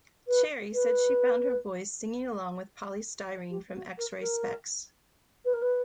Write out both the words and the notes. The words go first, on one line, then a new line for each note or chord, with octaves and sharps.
Cherry said she found her voice singing along with Poly Styrene from X-Ray Spex.
B4
B4
G4
F#4
A#4
A#4
B4
A#4
B4